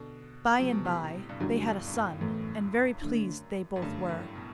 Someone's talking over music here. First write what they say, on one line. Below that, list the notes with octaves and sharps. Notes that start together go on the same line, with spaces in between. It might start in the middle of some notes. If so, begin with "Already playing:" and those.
By and bye they had a son, and very pleased they both were.
Already playing: B2 D3
C3 F#3 B3 F#4
B2
A2 C3
G2
F#2 A2 D3 G3 D4 F#4
G2 B2
G2
F#2 A2
F#2 A2 E3 A3
D3 A3 D4
F#2
G2 D3 A3 D4
F#2 A2
B2